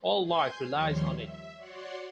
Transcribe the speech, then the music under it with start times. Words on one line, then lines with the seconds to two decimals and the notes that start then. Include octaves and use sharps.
All life relies on it.
0.21 G#5 C6 G6 G#6
0.71 D#2 D#3 F3 G3 C#5 C6
1.10 E5
1.56 F#4 C#5 D5 F#5 C6